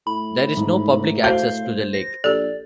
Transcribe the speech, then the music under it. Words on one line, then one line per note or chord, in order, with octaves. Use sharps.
There is no public access to the lake.
A2 B5
G#2
F#4 C5 F5 A5 G6
A#6
A#1 G4 A4 D5